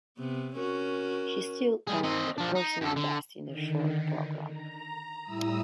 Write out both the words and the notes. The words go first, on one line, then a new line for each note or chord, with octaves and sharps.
She still earned a personal best in the short program.
C3 B3
C#4 F#4 A#4
G3 G#4
C4 D#5
F3 D4
D#4
F#2 A4
D3
D3 D#3
A#5
A2 G3 E4 A#5 D#6 E6